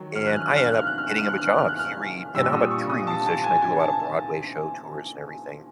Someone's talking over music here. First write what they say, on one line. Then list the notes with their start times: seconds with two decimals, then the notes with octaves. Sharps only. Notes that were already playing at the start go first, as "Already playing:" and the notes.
And I end up getting him a job He re and I'm a touring musician, I do a lot of Broadway show tours and everything,
Already playing: D#3 F#3
0.15 F6
0.26 F#6
0.36 F6
0.46 F#6
0.57 F6
0.67 F#6
0.77 F6
0.87 F#6
0.98 F6
1.07 F#6
1.18 F6
1.28 F#6
1.38 F6
1.48 F#6
1.58 F6
1.69 F#6
1.79 F6
2.34 A#2 G3 E6
2.53 D#6
2.71 C#6
2.90 D#6
3.07 A5
3.26 A5
3.44 G#5
3.62 G#5
3.80 A5